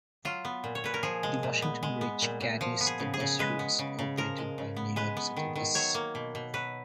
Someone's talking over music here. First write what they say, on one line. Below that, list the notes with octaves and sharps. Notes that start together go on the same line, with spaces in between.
The Washington Bridge carries the bus routes operated by New York City Bus.
F#3 F4
B3
A#2
C#5
A#2 B4
A#4
F3 G#4
G#3
A#2
B3
G#3
B3
A#2
A#2
F3
B3
G#4
C#3
G#4
C#3
G#3 B4
B3
C#3
C#3
F3 A#4
G#3
C#3
B3
G#3 B4
B3
D#3
D#3
F#3 C#5
A#3
B2
B2
F#3 B4